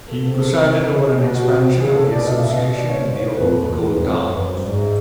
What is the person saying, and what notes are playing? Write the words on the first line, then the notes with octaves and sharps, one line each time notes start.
He presided over an expansion of the association in the old gold towns.
A4
C3 A4
A4
B2 G4
F#4
C3
C#3 G#4
G#4
A4
B2 D5
D#5
F5
B2 E5
D#5
D5
C#5
C5
C#5
C5
F2 B4
E2
B4
F2 C5
C#5
F#2 B4
C5
G#2 D5
E5